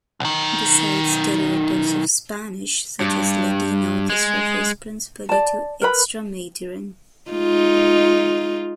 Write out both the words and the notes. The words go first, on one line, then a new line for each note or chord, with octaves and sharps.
Besides derivatives of Spanish such as Ladino, this refers principally to Extremaduran.
B1 D#3
G2
G#3
D5 A5
A#4 B4 B5
G#3 D#4 F4